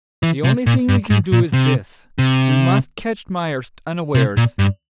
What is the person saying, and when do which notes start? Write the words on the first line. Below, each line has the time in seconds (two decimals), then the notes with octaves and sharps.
The only thing we can do is this--we must catch Myerst unawares.
0.23 E3
0.44 C3
0.66 A#2
0.89 G2
1.10 G#2
1.32 A#2
1.53 C3
2.19 C3
4.15 C3
4.37 A#2
4.59 G2